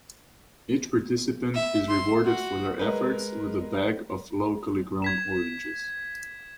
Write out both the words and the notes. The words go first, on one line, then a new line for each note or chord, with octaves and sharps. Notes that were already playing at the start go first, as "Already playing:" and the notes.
Each participant is rewarded for their efforts with a bag of locally grown oranges.
E5
C6
F#4
G#3 A#4 B4
G#6 B6 E7